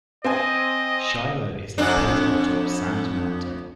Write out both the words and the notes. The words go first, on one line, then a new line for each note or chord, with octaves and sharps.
Shiloh is located atop Sand Mountain.
C4 C5 D#5 G#5
F2 D4